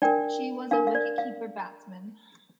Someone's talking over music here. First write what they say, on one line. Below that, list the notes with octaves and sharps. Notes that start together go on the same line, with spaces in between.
She was a wicketkeeper batsman.
D4 A#4 D5 G5
D4 A#4 F5
F5
D5
F5